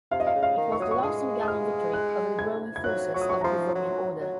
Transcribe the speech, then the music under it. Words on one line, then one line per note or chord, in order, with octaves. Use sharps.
It was the last Semigallian victory over the growing forces of the Livonian Order.
C3 F5
D#5
F5
C#3
F5
D#3
C#6
F#3 D#6
C#6
G#3 D#6
D#6
F6
F#6
G#6
G#6
F#3 F#6
F#3 C#6
D#6
C#6
A#5
F3 C6
F#3
F#3